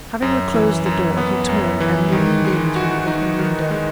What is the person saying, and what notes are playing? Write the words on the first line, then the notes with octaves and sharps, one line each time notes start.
Having reclosed the door, he turned and leaned in through the open window.
F#2
E3
F#2
B3
F#2
E3
D#3
G#3
F#4
D#4
D#3
G#3